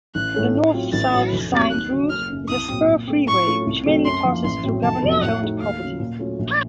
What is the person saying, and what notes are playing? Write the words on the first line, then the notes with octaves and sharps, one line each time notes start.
The north-south signed route is a spur freeway which mainly passes through government-owned properties.
A1 F#6
A2 A3 C#4
A2
F#3 C4 F4
A1 A6
A2 F#3
F1
F2 C3 F#3 A#3
D#2 F#6
C#3 F#3
F#1 F6
F#2 C#3
C2 D#6
A#2 F#3 C4
A#2
A3 C4
A2 C#6
A3 C#4 F4
C2
C3 F#3 A3 C4
F#2 C6
F3 A#3
A1 C6
A2 F#3 C4
F1 A5
F2 C3 F#3
A2 F#5
A3 D#4 F#4
D#2 F5
C#3 F#3
A#2
F#3 A3 C#4 F4
A#1